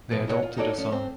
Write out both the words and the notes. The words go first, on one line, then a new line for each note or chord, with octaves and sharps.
They adopted a son.
A#2 F3 B3 E4
E4 F#4 C#5 D#5 F#5
F4
D#4 F4 F#4 A4 C#5 D5
F3 C#4
C4